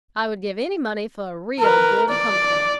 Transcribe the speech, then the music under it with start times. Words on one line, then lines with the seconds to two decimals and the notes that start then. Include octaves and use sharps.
I would give any money for a real good hunter.
1.59 A#4 B4
2.09 D5